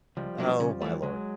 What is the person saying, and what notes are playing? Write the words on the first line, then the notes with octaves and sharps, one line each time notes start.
Oh my lord.
C#2 F3 G3
B2 F#3 A#3 D4
C#3
E3 A3
C#2 F#3 G#3